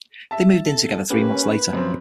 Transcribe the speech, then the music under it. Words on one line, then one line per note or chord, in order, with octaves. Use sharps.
They moved in together three months later.
E5 A5
A4
A#3 C#4 G4 B4
F#2 F3 C4